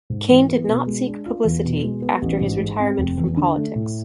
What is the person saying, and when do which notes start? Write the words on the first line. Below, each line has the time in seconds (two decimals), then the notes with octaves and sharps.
Cain did not seek publicity after his retirement from politics.
0.10 G#2
0.29 E3
0.49 B3
0.68 B2
0.87 G#3
1.07 D4
1.26 F4
1.45 E2
1.65 B2
1.83 G#3
2.02 B3
2.22 A1
2.41 G#2
2.60 G#3
2.80 C4
2.98 F1
3.17 E2
3.37 D3
3.56 A3
3.75 A2